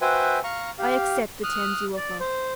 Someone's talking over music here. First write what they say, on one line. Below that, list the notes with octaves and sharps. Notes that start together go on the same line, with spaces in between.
I accept the terms you offer.
F#4 B4 C5 E5 G5 G#5
F5 A#5 C#6
G4 F5
D#6 F6 F#6
D5
C5